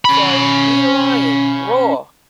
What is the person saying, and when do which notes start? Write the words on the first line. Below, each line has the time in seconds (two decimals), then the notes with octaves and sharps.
So, be the lion, roar.
0.05 C#4 B5